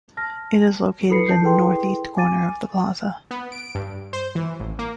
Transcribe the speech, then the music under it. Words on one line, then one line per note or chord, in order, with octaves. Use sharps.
It is located in the northeast corner of the Plaza.
A5 F6 A#6
E4 A4 B4 B5 C7 C#7
A5 G6 C7
E4 G#4 A4 B4 G5 C6
G#5 D6 A6 D#7
B3
D7
G2
C5
E3
A1
A#3